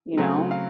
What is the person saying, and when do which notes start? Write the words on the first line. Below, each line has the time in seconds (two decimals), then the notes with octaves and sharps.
you know?
0.17 C#3 F#3 A3 C4
0.51 F5